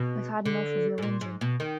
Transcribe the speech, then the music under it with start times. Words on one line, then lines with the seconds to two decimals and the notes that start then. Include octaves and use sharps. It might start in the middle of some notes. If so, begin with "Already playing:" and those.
I've had enough of your whinging.
Already playing: B2
0.45 D3
0.98 G#2
1.03 A#2
1.21 G#2
1.41 B2
1.60 D#3